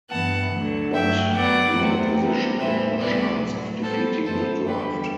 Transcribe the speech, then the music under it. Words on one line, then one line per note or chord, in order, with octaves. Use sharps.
But the opposition had no chance of defeating the draft.
G2 E3 B3 F#5 A5
D2 D3 F#3
G2 F#3 A3 E5 G5
F#2 F#3 B3 D5 F#5
E2 C3 F#3 A3
E2 C3 G3 B3
A2 E3 G3 B3 C5 E5
D2 C3 E3 G3 B3 B4 D5
A2 F#3 A3
A2 G3 B3 A4 C5
F#2 E3 B3 A4 C5
E2 D3 G3 G4 B4